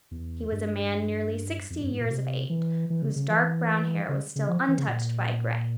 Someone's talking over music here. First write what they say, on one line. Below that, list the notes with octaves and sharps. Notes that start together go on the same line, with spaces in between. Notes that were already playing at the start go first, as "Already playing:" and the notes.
He was a man nearly sixty years of age whose dark brown hair was still untouched by gray.
E2
G2
F2
G2
G#2
A#2
C3
E3
E3
C#3
C#3
E3
C#3
C#3
F3
E3
C#3
A#2